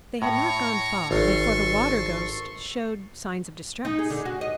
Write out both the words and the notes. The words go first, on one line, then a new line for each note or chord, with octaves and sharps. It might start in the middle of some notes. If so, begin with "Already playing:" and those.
They had not gone far before the water ghost showed signs of distress.
A2 C#5 A#5 C#6
G#1 A4 C6 C#6
D#4
G#4
D3
F#4
D#5